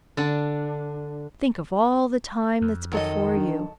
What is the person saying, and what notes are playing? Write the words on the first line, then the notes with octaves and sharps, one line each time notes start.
Think of all the time that's before you.'
D3 D4
F2
D#3 F#3 A4 D#5
D4